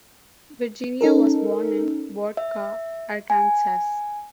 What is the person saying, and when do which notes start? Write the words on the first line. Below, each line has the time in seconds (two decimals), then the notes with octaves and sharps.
Virginia was born in Bodcaw, Arkansas.
1.01 C#4 D#4 A4 A#4
2.37 E5
3.30 G#5